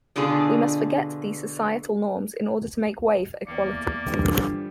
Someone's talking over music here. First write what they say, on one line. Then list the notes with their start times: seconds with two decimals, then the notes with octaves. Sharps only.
We must forget these societal norms in order to make way for equality.
0.16 B2 D3 D4 F4 G#4
3.47 E2 A#3 D5 C#7
4.07 G2 D3 E3 F3 G3 G4